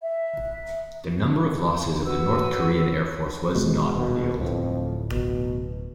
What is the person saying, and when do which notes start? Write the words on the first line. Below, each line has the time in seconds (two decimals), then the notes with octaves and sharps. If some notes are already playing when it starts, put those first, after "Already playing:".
The number of losses of the North Korean Air Force was not revealed.
0.02 E5
2.05 F#4 B4 E6
3.55 B2 G#3
3.95 D#1 B2
4.39 D1 F2 A2
5.11 B2